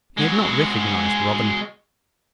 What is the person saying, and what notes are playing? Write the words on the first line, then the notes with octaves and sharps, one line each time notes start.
He had not recognized Robin.
G#3 F#4